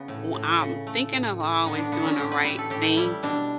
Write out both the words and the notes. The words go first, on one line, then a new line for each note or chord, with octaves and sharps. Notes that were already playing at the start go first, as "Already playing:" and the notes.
w I'm thinking of always doing the right thing,
Already playing: C#3 B3
A2
A2
C#3
A3
A2
A2
D3 B3
D4
D3 B3
C#4
A2 G4
B4
A2 B4
A4
A2 G4
G3 E4
B2 D4